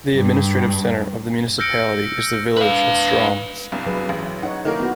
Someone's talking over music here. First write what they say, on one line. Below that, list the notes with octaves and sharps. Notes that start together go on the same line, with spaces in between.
The administrative centre of the municipality is the village of Straume.
G2
E6 F6 G6 A#6 C#7 D7
B4 F5
C2 G2
F#3 G#4 B4
A1
D#4 C#5 F#5
D#3 A#3 D#4 E4 A#4
B3 F#4